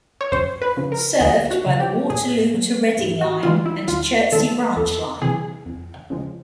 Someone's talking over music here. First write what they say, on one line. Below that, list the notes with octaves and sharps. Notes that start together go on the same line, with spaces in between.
Served by the Waterloo to Reading Line and Chertsey Branch Line.
C#5
F#2 C5
B4
C#3 F3
A#4
D2 G#4
F#4
C#3 F#3
G4
A2 G#4
F#3
G#2
F#4
E3 G3 F4
E4
D#2 F4
D#3 G#3 A4
F2 A4
C3 E3 G3 G#4
F2
C#3 F3 G#3